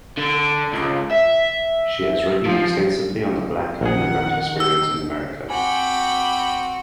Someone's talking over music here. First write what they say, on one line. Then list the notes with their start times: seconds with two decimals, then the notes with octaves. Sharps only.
She has written extensively on the Black immigrant experience in America.
0.18 D3
0.73 C#2
1.11 E5
2.45 F3
3.81 A#1 D#3 G#4 F#5
4.60 E6
5.50 C4 F#4 G5 G#5 B5 D6